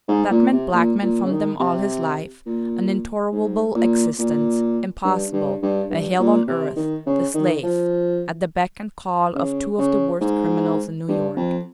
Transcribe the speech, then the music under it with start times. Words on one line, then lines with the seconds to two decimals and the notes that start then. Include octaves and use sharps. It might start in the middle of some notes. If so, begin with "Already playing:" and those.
That meant blackmail from them all his life, an intolerable existence, impossible, a hell on earth--the slave, at the beck and call of two of the worst criminals in New York!
0.08 G#2
0.31 A#2
0.52 C3
0.73 A#2
1.02 A#2
1.24 C#3
1.31 D#3
1.59 C3
2.46 A#2
3.32 G#2
3.75 A#2
4.19 A#2
5.05 G2
5.33 G2
5.62 G2
5.90 G2
6.19 A#2
6.47 C3
6.76 D#3
7.06 C#3
7.34 D#3
7.63 F3
9.35 C#3
9.78 C#3
10.21 G#2
11.08 G2
11.36 F2